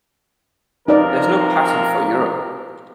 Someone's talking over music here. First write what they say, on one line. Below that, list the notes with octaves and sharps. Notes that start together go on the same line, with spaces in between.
There is no patent for Europe.
C3 F3 D#4 A#4 B4 D5